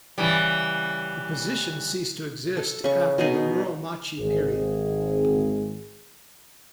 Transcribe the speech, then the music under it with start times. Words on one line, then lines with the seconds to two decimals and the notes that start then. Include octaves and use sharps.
The position ceased to exist after the Muromachi period.
0.18 C#3 E3 G3
2.57 A4
2.84 C#3 C#6
3.18 B2 D#4 G#4
4.19 G#1 G#4